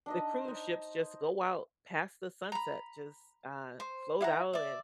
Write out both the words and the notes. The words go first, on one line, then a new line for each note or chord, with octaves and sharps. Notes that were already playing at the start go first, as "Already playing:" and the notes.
the cruise ships just go out past the sunset, just, uh, float out and
D4 D#4 D#5
D#4 C5
A#5 B5
C5
E4 F5 F#5 A#5
D5 E5